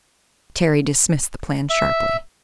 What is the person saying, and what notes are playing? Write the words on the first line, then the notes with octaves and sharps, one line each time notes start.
Terry dismissed the plan sharply.
E5